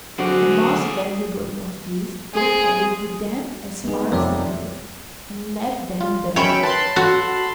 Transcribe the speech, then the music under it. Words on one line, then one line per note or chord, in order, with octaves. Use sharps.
The most valuable of these they carried with them as far as the cliff, and left them there.
D3 F#3 C4 F#4 G#4 D5
C4 G#4
G#3 B3 D#4 G#4
F2 C3 C#5 D5 E5
F4
D#3 F#3 C#4 C#5 E5 G5 B5
B4 A5 B5 C6
F#4 A4